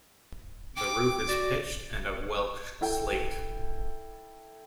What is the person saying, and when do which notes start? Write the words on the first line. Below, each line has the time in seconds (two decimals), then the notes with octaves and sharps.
The roof is pitched and of Welsh slate.
0.77 G5 D6
1.29 F#4 D5
2.81 E4 A4 G5